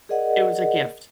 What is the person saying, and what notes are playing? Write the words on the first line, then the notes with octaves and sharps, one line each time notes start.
it was a gift.
G#4 A#4 D5 D#5 F#5